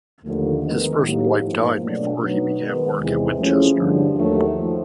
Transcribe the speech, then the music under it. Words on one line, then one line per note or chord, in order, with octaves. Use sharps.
His first wife died before he began work at Winchester.
D#2 D3 F3 A3
D#3 G#3 B3 D#4
A2 F#3 A#3 D#4 G4
G#2 F3 A#3
B2 F#3 A3 D4
B2 F#3 B3 D#4
D#3 G#3 B3
E2 C3 E3 G#3
F3 A3 C#4 E4 G#4
G2 D3 F3
D#2 D#3 F#3 A3
F3